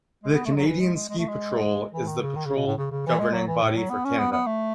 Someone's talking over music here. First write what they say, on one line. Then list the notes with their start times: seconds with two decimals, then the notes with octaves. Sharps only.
The Canadian Ski Patrol is the patrol governing body for Canada.
0.24 G#3
0.35 B3
0.46 A3
0.51 G#3
0.56 F#3
0.67 E3
0.81 G#3
0.94 G#3
1.09 G#3
1.18 A3
1.28 G#3
1.93 E3
2.07 D#3
2.22 C#3
2.36 D#3
2.46 C#3
2.57 B2
2.67 A2
2.78 C#3
2.91 C#3
3.07 E3
3.19 G#3
3.34 F#3
3.48 E3
3.63 A2
3.77 F#3
3.90 B3
4.05 C#4
4.18 B3
4.32 B3
4.47 A3